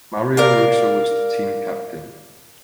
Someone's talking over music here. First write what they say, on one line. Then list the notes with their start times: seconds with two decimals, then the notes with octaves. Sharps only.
Mario Russo was the team captain.
0.37 A#4 D5 F5